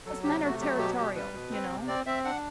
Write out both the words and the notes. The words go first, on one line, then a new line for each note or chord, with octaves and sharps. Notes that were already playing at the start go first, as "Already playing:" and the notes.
'Cause men are territorial, you know?
F#3 A4
C3 G4
A3 F#4
F#3 G4
B2 G4
B2 G4
G3 B4
B2
C4
C3
C4 D5
C4 E5
D4 F#5